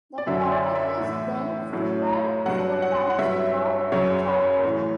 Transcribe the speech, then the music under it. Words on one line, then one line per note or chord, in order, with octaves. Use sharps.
The product is then filtered four times through charcoal.
D5
F#2 D3 F#3 E5
D5
E5
A2 E3
A2 F#3
G2 F#3 F#5
F#5
F#5
G2 F#3 E5
F#2 C#3 F#3 C#5
C#5
A2 E3 C#5